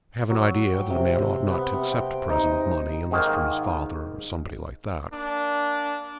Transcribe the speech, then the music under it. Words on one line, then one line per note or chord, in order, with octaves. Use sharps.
I have an idea that a man ought not to accept a present of money, unless from his father, or somebody like that.
F#3
G5
C3
C3
B3
C3
G5
D#4
G#2 D#3 A#3
A#3 D4